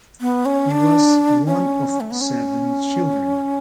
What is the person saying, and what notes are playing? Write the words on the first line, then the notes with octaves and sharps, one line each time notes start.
He was one of seven children.
B3
C#4
D4
C#4
A3
B3
C#4